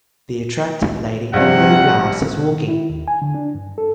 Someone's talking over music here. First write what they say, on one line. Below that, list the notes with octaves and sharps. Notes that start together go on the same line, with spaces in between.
The attractive lady in the blue blouse is walking.
A#1 G2 C3 F#5
B2
D#3
E4
D#2
G#5
D3
D4
G2
A4